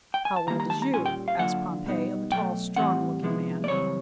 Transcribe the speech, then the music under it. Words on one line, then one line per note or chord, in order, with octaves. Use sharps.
"How old is you?" asked Pompey of a tall, strong-looking man.
G5
G#5
A5
D#3 G3 A#3 A#5
A#5
A5
A#5
A#2 G3 A#3 C#4 F4 G#5
G5
F5
D3 F#3 A#3 D4 F4 F#5
B2 G3 B3 D#4
B2 F#3 A3 G5
A2 E3 G3 C4 F#5
C3 F3 G#3 B3 E4
D5
F#2 C#3 E3 G3 C4 C#5